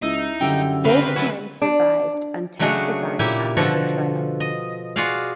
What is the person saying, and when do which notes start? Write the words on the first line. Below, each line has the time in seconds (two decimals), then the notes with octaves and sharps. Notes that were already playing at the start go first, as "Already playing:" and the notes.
Both men survived and testified at her trial.
0.03 C#2 D#4 E4
0.41 F#2 D3 G3 E5 G5
0.85 C#3 C4 B4 F5 G5
1.16 F#3 E4 F#4 G#5 A5
1.62 D4
2.59 C#3 F#3 A3 D4 F#4 G#4
3.19 A#2 A#3 E4 G4
3.57 B2 D3 F3 F#4 A4
4.40 D#5
4.96 F4 F#4 G#4 D5 F5